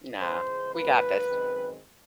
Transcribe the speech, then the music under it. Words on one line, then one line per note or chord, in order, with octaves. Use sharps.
Nah, we got this.
C#2 C#3 E3 G#3 C5
G#2 D#3 F#3 A#3 B4
F#2 D#3 G#3 C4